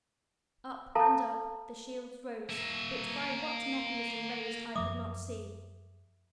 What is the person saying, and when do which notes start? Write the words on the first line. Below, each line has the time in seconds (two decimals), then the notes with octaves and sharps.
Up and up the shields rose, but by what mechanism raised I could not see.
0.95 A4 F5 A5 A#5
2.50 A#3 E5
4.76 F#2 F3 A3 E5 D6 D#6